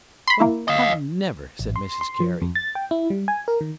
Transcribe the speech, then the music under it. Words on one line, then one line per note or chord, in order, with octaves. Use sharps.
"Well, I never," said Mrs Carey.
B5 C6
A#3 E4
D#5 F5
A1
C6
C6
F3
F2
A6
G5
E4
G3
G#5
A#4
D#3